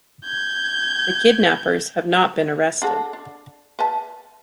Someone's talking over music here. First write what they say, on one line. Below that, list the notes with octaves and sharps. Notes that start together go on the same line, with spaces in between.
The kidnappers have not been arrested.
G6 G#6
D4 F#4 A4
D4
B4 E5 A5